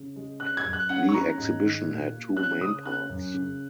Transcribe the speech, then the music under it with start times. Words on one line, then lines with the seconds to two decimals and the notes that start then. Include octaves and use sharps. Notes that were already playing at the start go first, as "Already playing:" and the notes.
The exhibition had two main parts.
Already playing: C#3
0.16 G#3
0.40 C#4 F#6
0.57 G#6
0.65 F#2
0.73 F#6
0.89 C#4 F#5
1.09 C#6
1.14 C#4 A#5
1.39 G#2
1.62 D#3
1.88 A#2
2.12 A#3
2.36 C#4 F#6
2.60 C#3 D#6
2.85 C#4 F#6
3.09 F#2
3.34 C#3